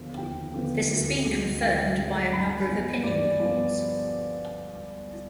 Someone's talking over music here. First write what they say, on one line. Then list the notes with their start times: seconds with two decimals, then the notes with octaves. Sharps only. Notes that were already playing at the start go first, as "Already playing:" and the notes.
This has been confirmed by a number of opinion polls.
Already playing: D#2 D3 F3 B3
0.17 D#2 G5
0.53 D3 F3 B3
0.90 D2
1.25 D3 G#3
1.61 D2 G5
1.97 D3 G#3
2.32 G2 B5
2.45 G#5
2.57 B5
2.68 F3 B3
3.03 G2 D5
3.40 F3 B3